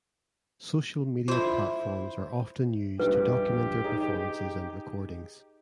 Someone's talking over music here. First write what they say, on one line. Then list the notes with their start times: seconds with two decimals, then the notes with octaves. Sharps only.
Social media platforms are often used to document their performances and recordings.
1.28 E4 F4 C5
3.00 A#1 F2 G3 G4 B4
3.84 D#4 G#4